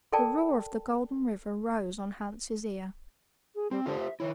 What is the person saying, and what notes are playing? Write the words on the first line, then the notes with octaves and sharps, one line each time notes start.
The roar of the Golden River rose on Hans's ear.
A4 A#4 D5 G5 A5
G#4
G3 C4
D3 F4 G4 C5
E5
D#3 E4 C#5